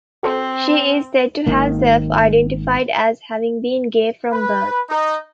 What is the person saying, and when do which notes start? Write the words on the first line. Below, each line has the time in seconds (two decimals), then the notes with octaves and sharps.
She is said to have self-identified as having been gay from birth.
0.23 C4 F#4 A4 C5
1.46 G#1 D#3 A#3
4.33 B4
4.89 D#4